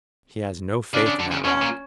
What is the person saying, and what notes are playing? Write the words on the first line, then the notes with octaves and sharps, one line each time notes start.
He has no faith in that rot.
C#3 D4
C#3
D3
C#3
B2 C#4
A#2